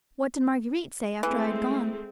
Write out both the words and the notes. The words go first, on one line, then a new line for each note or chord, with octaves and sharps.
"What did Marguerite say after I had gone?"
E3 G#3 A3 C4